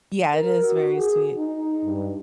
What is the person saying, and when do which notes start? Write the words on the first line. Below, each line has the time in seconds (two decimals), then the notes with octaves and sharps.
Yeah, it is very sweet.
0.34 A#4
0.63 F#4
0.97 G#4
1.36 D#4
1.84 G2